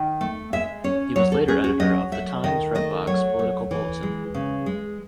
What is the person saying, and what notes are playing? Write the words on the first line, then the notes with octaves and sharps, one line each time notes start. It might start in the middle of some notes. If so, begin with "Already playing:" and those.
He was later editor of "The Times" Red Box political bulletin.
Already playing: D#3
A3
G#3 E5
C#4 C#5
F#3 C#5
A4
C#4 G#4
F#4
F#3 D#5
A3 E5
D#3 D#5
A3 D#5
F#3 C#5
A3
E3
G#3
C#3
G#3